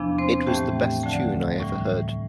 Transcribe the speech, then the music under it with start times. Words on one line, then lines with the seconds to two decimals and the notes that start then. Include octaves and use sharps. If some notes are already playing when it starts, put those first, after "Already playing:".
It was the best tune I ever heard.
Already playing: E2 C3 F3 B3 D4
0.18 C4 C5
0.47 A2 E3 A3 G4 G5
1.04 D2 D3 F3 A3
1.60 A2 E3 G3